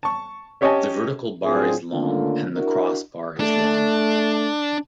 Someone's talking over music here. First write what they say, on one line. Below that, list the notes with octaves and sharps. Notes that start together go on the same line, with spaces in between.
The vertical bar is long and the crossbar is long.
A5 C#6
C#4 G4 C#5 D#5 G#5 A5
A2 F#3 C4 D4 F4 G#4
D3 D#3 A3 A#3 C#4 F4
D4 E4 F#4 A#4
A3 D4